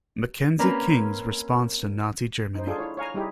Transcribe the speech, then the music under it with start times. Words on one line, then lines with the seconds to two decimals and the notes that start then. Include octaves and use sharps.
Mackenzie King's response to Nazi Germany.
0.59 A#3 C4 C#4 A#4 B4
2.55 D#4 C5
2.67 D4 F4 G#4 A4
2.79 E4 C#5
2.97 C#5 F5 G#5 A#5
3.14 G3 D#4 E4 G4 G#4